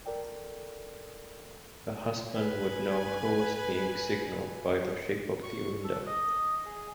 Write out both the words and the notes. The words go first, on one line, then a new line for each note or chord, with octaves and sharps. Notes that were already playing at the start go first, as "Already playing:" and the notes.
The husband would know who was being signalled by the shape of the window.
A4 A#4 D5 G5
B4 G#5
C#6
A4
D#5
G#4